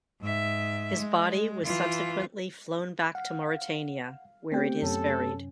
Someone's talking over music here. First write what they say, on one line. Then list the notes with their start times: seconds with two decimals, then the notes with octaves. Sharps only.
His body was subsequently flown back to Mauritania, where it is buried.
0.21 G#2 E5
0.97 G#3
1.64 E3 F4
3.15 F5 F#5
4.52 A3 B3 C4 G4 G5
4.82 F#2 C3 C#4 A4